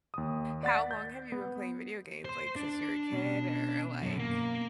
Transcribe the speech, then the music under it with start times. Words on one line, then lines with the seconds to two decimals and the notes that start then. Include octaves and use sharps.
How long have you been playing video games? Like, since you were a kid, or like,
0.14 D#2 D#6
0.63 D5 F#5 A6 B6
0.91 G6
1.32 B3
2.25 C5 C6
2.56 D4
3.12 B2 C#4
4.02 F#2
4.19 A#3